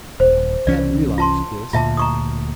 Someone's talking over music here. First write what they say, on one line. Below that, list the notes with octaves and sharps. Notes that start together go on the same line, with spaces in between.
Tad realized this.
D#1 C5
C2 E3 C#4 D5
F4 A5 C6
D2 A#2 F4 E5 A5
A#5 C#6 D#6